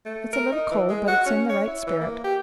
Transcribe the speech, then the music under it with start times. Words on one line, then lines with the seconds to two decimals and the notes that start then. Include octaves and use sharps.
It's a little cold, but it's in the right spirit.
0.06 A3
0.33 A#4
0.52 D#4
0.72 E3
0.89 G#3
1.07 F#4
1.26 C#4
1.50 C#5
1.68 E4
1.87 E3
2.01 A#3
2.24 G4